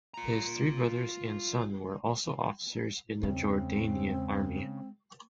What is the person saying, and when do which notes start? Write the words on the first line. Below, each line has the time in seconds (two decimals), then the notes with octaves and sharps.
His three brothers and son were also officers in the Jordanian army.
0.14 F4 A#5
3.23 E2 C#3 G#3 C4